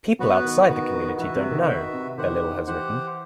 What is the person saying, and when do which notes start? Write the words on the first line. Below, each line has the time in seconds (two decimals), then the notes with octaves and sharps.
"People outside the community don't know," Bellil has written.
0.19 F#3 B3 F#4 B4
0.44 D#3
0.69 D#3 B3 F#4 B4
0.94 D#3
1.18 E3 F#4 B4 E5
1.35 C3
1.51 D#3
1.68 D#3 F#4 B4 E5
1.93 C3
2.18 D#3 G4 C5 F#5
2.43 D#3
2.67 E3 G4 C5 F#5